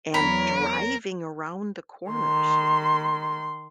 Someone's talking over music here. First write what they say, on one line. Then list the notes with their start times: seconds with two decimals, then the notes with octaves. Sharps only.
and driving around the corners
0.14 E2 F#3 A#4 C#5 B5
2.11 D#3 C6